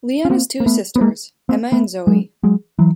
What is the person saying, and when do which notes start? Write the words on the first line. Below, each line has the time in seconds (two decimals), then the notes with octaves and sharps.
Leon has two sisters, Emma and Zoe.
0.25 C#4
0.30 A#3 C4
0.60 A#3
0.66 A3 B3
0.96 B3
1.01 G#3 A#3
1.49 A#3 C4
1.72 A3 B3
2.07 F#3 G#3
2.43 F#3 G#3
2.79 E3 F#3